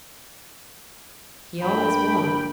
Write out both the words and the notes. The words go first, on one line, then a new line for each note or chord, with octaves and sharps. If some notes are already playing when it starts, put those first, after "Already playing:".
"He always won."
G2 A#3 G5 B5